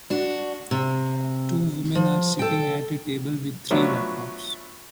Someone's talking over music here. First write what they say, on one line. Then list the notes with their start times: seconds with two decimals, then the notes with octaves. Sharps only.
Two women are sitting at a table with three laptops.
0.10 D4 F#4
0.71 C3
1.95 F3
2.39 A4 G5
3.70 F3 F#3 A3 B3 D4